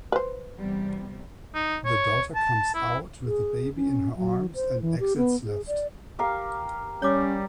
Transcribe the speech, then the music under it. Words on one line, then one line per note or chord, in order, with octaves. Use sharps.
The daughter comes out with the baby in her arms and exits left.
B4 C5
E2 C3 G3
D#4
C#5
A5
E4
G#4
C#4
F#3
C5
E3
G4
B3
G#4
D5
G4 A#4 F5
G3 C#4 C#5 D6